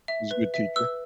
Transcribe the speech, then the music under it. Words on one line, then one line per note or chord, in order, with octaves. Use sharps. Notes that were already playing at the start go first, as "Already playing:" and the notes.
He's a good teacher.
E5
B4
E5
B4 E6